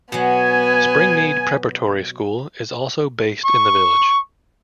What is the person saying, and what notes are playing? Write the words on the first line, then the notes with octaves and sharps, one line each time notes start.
Springmead Preparatory School is also based in the village.
B2 F#3 B3 G#5
C#6